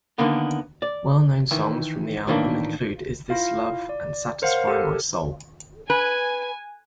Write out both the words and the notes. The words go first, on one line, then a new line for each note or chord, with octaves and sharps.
Well-known songs from the album include "Is This Love" and "Satisfy My Soul".
D3 D#3 A#3 B3
D5
D#3 E3
A2 D#3 E3 A#3 D4
E4 F4 F5
D5
A#4 C5 C#5 F5 F#5
G4 A4 A#4
B4 G#5